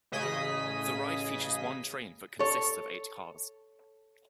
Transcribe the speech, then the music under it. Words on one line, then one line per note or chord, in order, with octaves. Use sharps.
The ride features one train that consists of eight cars.
A1 C#3 G#4 D#5 D#6 B6
A4 C#5